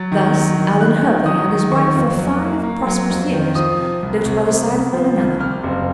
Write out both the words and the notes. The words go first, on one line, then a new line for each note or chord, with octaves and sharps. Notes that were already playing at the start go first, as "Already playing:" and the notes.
Thus Alvan Hervey and his wife for five prosperous years lived by the side of one another.
Already playing: F#3 A6
D#3
F#3
D#3
D#3 F#6
D#3
F#3 D#6
D#3
D#3 C#6
F2
F#3
A#3
A#3
F#3
F2
D#3
F3 D#6
C3
C2
C2
C3
C2
F3
C2
C3 F6
F#1